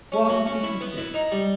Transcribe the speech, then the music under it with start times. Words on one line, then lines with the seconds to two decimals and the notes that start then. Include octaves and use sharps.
One you can see.
0.12 C#4
0.29 F#3
0.46 C#4
0.63 E4
0.81 B3
0.98 E4
1.14 D#4
1.32 G3